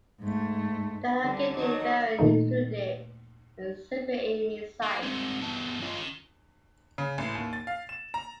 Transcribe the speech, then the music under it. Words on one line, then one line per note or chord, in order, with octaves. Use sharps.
The elongated barrel included a simple aiming sight.
G#2 A3
D3 G3 D4
D#3 F#3 D4 D#4
A#2 D#3 A3 D#4
A#3
G2 G#3 A3 C4
E3 B3 A5
C#4 F4
D#3
C#3
A1
D#2
A6
F5
E7
A#5